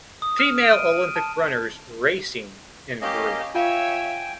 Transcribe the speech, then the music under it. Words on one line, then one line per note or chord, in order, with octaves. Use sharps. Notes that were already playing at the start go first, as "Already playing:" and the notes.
Female Olympic runners racing in group.
D#6
F6
D7
D#7
A5
A#3 C#4 G4 D#5 F5
F4 C#5 E5 F5 G5 G#5